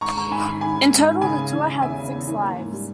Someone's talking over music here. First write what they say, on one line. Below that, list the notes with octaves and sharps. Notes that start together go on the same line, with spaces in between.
In total, the tour had six lives.
G#2 A#5 C#6
G#2 A#5 C#6
G#2 G#5 B5
D#3
D#3 G#5 B5
D#3
G#2
D#3
C#3 G#5 B5
C#3
E3
C#3
E2 E5 G#5
C#3
E2
E3
A#3
G#2
G3